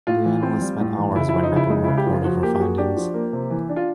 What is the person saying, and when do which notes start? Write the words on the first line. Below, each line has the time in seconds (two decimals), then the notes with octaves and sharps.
The analyst spent hours writing up a report of her findings.
0.07 A2 F4
0.25 E3
0.43 C4
0.62 G3
0.80 A2
0.97 E3
1.16 C#3 E4
1.29 E4
1.34 F3
1.43 D#4
1.52 C#3 E4
1.70 G#3 D#4
1.84 C#3 E4
1.97 G4
2.06 F3
2.13 F4
2.24 F3 F#4
2.43 A#3 G4
2.55 G4
2.60 F#4 G#4
2.78 D4 G4
2.97 F3
3.14 A#3
3.33 C3
3.50 E3
3.69 D4
3.76 F4